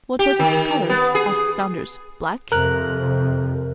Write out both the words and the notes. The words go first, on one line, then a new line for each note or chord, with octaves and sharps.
"What was its color?" asked Saunders; "black?"
G4
D#3
B3
G#4
F2 C3 A#4 F#6